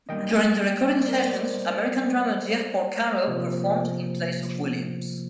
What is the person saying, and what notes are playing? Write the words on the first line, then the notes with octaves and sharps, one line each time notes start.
During the recording sessions, American drummer Jeff Porcaro performed in place of Williams.
D#3 G3 A#3 D#5 G5
D5
C5
A#4
C5
C3 F3 A#3